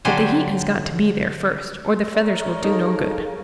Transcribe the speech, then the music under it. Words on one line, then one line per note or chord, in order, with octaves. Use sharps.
But the heat has got to be there first, or the feathers will do no good.
D3 F#3 D4 G4 C5 G#5
G#3 A#4 C#5 D5 E5
D#4 G#4 A4 F5